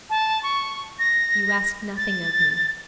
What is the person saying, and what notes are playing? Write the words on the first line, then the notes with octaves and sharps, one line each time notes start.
'You ask nothing of me.
A5
C#6
A#6
A6